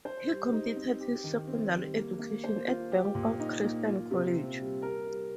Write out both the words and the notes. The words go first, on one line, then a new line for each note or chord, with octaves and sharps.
He completed his secondary education at Bangkok Christian College.
C5
G3
D#4
C4
G4
D#3
C4
G3
A#3
A#3
C5
F4
G4
A#2
D#4
A#3
F4
C3
C4
G3
A#4
G3